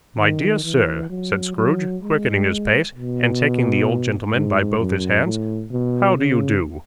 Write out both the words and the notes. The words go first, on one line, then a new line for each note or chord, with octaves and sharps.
'My dear sir,' said Scrooge, quickening his pace, and taking the old gentleman by both his hands, 'how do you do?
D#3
E3
F#3
F#3
G#3
B2
G#2
F#2
A2
B2
C#3